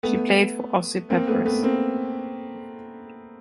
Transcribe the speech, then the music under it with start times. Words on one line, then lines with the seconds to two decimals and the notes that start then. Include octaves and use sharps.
She played for Aussie Peppers.
0.03 A3 B3
1.10 A#3 C4
1.27 A3 B3
1.46 A3 B3
1.63 A#3 C4